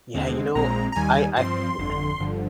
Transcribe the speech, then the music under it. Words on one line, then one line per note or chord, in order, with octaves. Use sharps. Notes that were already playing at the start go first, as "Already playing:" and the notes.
Yeah, you know, I I think that, uh
D#2 D3 G#3 C4
A#1 A#2 G#3 C4 A#5
A#5
D#2 D#3 G3 G#5
G2 F3 C4 C6
G1 F2 D3
G1 G2 D3 F3